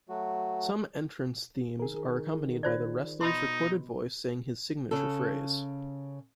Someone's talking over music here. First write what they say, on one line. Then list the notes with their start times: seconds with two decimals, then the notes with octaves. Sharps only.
Some entrance themes are accompanied by the wrestler's recorded voice saying his signature phrase.
0.09 F#3 A3 F#4
1.79 D#3 G#4 A#4
2.63 F4 C5 D5
3.21 B2 D#4 D#5 B5 C6
4.91 C#3 A4